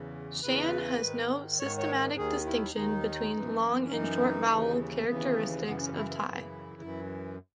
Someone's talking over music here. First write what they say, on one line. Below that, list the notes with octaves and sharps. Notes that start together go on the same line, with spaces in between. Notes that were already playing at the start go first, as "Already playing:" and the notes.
Shan has no systematic distinction between long and short vowels characteristic of Thai.
Already playing: E2 C#3 E3
E2 C#3 E3 B4
G#2 D#3
G#2 D#3 C#5
C#5
D#2 D#3 G#4
E4
D#2 D#3 D#4
F#2 E3
C#4
F#2 E3 D#4
D#2 C#3 E3
D#2 C#3 E3 B3
F#2 C#3 E3 B3
C#4
E4
E4
F#2 C#3 E3
F#2 E3